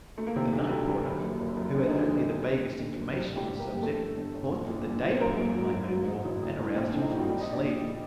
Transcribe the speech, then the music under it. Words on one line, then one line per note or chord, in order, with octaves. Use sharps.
The night porter, who had only the vaguest information on the subject, thought that the day porter might know more, and aroused him from his sleep.
A3
A#3
C3 D#3 C4
D2
G3
G3
F#2
F#1
F#1
F#2
D2 D4
D3 D#4
D3 D4
G3
D3
D3
G3
D3
F#2
C3 G3 C4
A1
G3 G4
A1
A#3 A#4
G3
G4
G1 A3 A4
G1
G1
G1
A#1
A#2
A#1
A#2
C5
F#2 A#3 A#4
F#2
F#3
F#2
F#3
A1
A1
A1
A2
A#1 C4
D4
A#1
D#4
G3 F#4
G3 G4
D#5
A#1
D4 D5
A#1
A#2